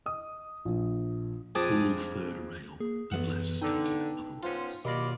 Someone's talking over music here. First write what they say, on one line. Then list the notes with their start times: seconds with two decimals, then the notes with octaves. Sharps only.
All third rail unless stated otherwise.
0.06 D#5 D#6
0.65 A#1
1.55 F2 G#4 A5 D6 D#6
2.80 A#3 G#4
3.12 B1 F#2 E3 F#5
3.62 D3 D#4 G5 A5 E6
4.43 B3 C#4 F4 C5
4.85 D#2 B2 F#3 F4 D5 D#5 B5 A#6